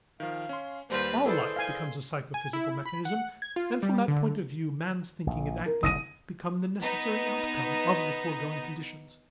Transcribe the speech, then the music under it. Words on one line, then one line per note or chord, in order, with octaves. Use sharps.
All life becomes a psychophysical mechanism and from that point of view man's thinking and acting become the necessary outcome of the foregoing conditions.
D#3 F3 F5
C#4 C6
D#2 G3 A#3 B4 C5
E4 G#4 A4 B4 C5 D5 C6
F5 G#5
G#5
E4
B5
F#5
G#6
F4
G3
D3
A#1
A#4
F#1 C2 D#6 A#6 D#7
B3 D#4